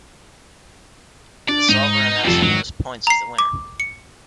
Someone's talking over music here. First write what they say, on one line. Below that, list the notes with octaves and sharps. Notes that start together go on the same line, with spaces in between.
The solver amassing the most points is the winner.
D4 D5
G#2 D#4
F1 G2 F4 A4
G#2 D#3 F#3
A#5 C7
D6
C#7